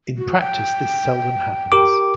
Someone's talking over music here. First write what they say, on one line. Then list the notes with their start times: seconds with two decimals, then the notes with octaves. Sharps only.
In practice, this seldom happens.
0.18 F#4
0.39 G5
1.72 G4 A#4 D6